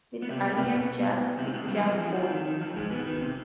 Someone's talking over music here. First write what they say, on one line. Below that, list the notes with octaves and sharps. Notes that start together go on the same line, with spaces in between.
With Ali and Jack, with Jack Ford.
B3
C3 C4
B2 B3
C3 C4
B2 B3
C3 C4
B2 B3
G#3
G2 G3
F2 F3
F2 F3
D#3
F2 F3
D#3
D#3
F2 F3
G#2 G#3
B2 B3
D#3
C3